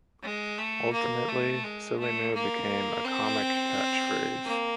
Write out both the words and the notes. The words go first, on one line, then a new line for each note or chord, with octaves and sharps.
Ultimately "silly moo" became a comic catchphrase.
G#3
A3
A#3
A3
G#3
A3
A#3
C4
A#3